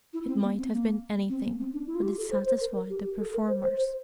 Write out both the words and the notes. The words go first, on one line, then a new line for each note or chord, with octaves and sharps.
It might have been anything, but it satisfied the performers.
E4
C4
A#3
C4
A#3
C4
A#3
C4
D4
E4
F4
G4
A4
C5
C5
A#4
A#4
G4
G4
A4
A#4
C5
C5
C5